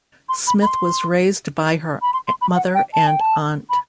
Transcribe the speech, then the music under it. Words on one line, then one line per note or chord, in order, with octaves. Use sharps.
Smith was raised by her mother and aunt.
C6
B5
B5
C6
B5
C6
C6
B5
F#5
G5
A5
G5
A5
B5